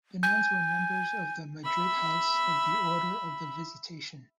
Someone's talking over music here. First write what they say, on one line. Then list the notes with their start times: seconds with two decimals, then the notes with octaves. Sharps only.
The nuns were members of the Madrid House of the Order of the Visitation.
0.23 G#5 G6
1.64 E5 B5